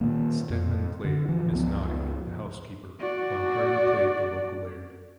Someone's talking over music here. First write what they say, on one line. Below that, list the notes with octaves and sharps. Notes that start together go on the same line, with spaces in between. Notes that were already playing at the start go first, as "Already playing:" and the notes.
Steadman played Mrs Naughtie the housekeeper, while Hardy played the local laird.
A#2 D#3 A#3
F2
D3
E3 F3
C#2 F3 B3
F#4 D5